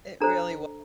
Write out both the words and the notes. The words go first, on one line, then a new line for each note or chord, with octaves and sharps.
It really was.
D4 A4 C5 A#5